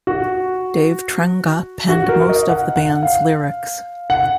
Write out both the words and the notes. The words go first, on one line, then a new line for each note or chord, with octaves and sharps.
Dave Trenga penned most of the band's lyrics.
F#4
F#4
A#4
D#5
F#5
F#5
F5
F#5